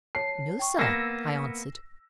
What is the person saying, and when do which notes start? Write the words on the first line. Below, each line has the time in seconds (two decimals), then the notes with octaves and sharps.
"No, sir," I answered.
0.15 C#5 A5 C7
0.59 G5 C#6
0.79 A#3 B3 E6 A#6 C7 E7